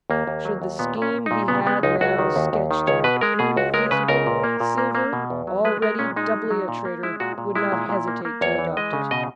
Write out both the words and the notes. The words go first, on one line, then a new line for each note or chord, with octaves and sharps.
Should the scheme he had now sketched prove feasible, Silver, already doubly a traitor, would not hesitate to adopt it.
D#2 A#3
D#2
F#3
D#2
A#2 B3
A#2 C#4
A#2
A#2 D#4
C#3 B3
G#3 B3
C#2 D#4
C#2 F#4
D#3
D#2
D#2
D#3
C#2 C#5
B2 B4
G#3 A#4
B2 G#4
C#2 F#4
G#3 A#4
C#3 B4
C#2 A#4
A#2
A#3
A#2
A#3
A#3
B2
E2
F#3
G#3 B4
G#3 A#4
A#2 C#4
G#3 D#4
F#3
F#3
A#2
A#3
G#3 E4
A#2 F#4
A#2
G#3 E4
A#2
A#2
A#3
A#3
E2 C#5
E3
G#3 D#5
C#3
B2 D#5